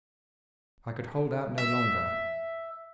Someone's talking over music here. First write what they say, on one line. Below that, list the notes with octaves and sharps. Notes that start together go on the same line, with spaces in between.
I could hold out no longer.
E5